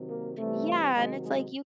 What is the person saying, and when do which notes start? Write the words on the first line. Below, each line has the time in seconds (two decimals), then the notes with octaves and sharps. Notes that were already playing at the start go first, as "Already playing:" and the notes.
Yeah, and it's, like, you
Already playing: C3 D#3 F#3
0.09 A#3
0.37 C3 E3 G3 A3
0.94 C3 D#3 F#3 G#3
1.23 G#3